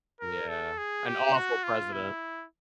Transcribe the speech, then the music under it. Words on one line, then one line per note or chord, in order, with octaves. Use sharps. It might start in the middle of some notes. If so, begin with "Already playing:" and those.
Yeah, an awful president.
A#4
A4
G#4
G4
F#4
F4
E4